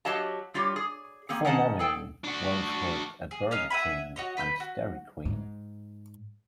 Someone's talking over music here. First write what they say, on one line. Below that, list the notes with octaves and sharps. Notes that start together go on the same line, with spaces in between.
Before modeling, Walsh worked at Burger King and Dairy Queen.
F#3 G4 C#5 D#5 F5 A5
G3 F4 G4 C#5
G#4
A#3 C4 G#4
D#3 C#4 D#5 F#5 A5
G#4 A4 G5
D4 F#4
G#4
C#4 D#4 F5
E5 F#5 G#5 B5
F#4 C#5 D#5
B4 B5 E6 G6
F#4
G#2